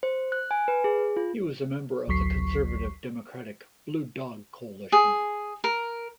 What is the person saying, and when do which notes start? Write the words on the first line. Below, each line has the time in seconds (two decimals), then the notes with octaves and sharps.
He was a member of the conservative Democratic Blue Dog Coalition.
0.03 C5
0.32 F#6
0.51 G#5
0.68 B4
0.84 G#4
1.16 F4
2.08 A1 D2 F#3 C#6 B6 C7
4.92 G#4
5.64 A#4